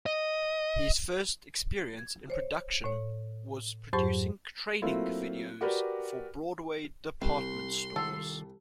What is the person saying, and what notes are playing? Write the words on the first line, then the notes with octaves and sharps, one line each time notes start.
His first experience in production was producing training videos for Broadway Department Stores.
D#5
G#6
C5 C#5
A2 C#5
F2 G#2 F#3 G4 C5 C#6
F#3 A3 A#3 C4 E4 F4
F#4 G4 A#4 B4 D5
C2 C4 C6
D#3 G3 F4 A4